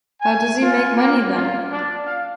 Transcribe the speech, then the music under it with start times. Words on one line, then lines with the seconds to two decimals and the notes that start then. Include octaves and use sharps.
How does he make money then?
0.21 G#5
0.61 F4
0.96 A#3
1.33 F4
1.71 D4
2.05 F5